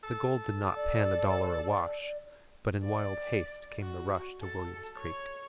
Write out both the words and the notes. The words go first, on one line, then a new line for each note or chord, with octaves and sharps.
The gold did not pan a dollar a wash; but in wild haste came the rush to William's Creek.
A4
D5
D5
F#4
A4
C#5